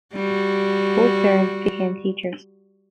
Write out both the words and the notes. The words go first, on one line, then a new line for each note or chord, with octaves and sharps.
Both parents became teachers.
G3 F#4